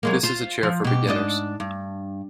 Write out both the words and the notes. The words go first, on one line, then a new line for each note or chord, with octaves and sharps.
This is a chair for beginners.
F#3 G#3 A#3
F4 C5
F3
B2 G4
G#2 D4 D#5
G2